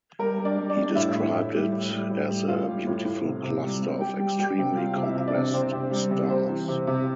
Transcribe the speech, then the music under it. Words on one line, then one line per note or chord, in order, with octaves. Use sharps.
He described it as a "beautiful cluster of extremely compressed stars".
G3 A#4
G3
D4 D5
G3
D4 D5
G3
A2 E4 E5
A2
A2
G3
A2
G3
A2
G3
A2 F4 F5
G3
A2
A2
C3
C3
G3
G3
G3 G4 G5
G3
G3 G4 G5
C3
G3 F4 F5
C3
E4 E5
C3
D4 D5
C3
C3 C4 C5
C3
G3
C3
C3 C4 C5
E3
C3
C3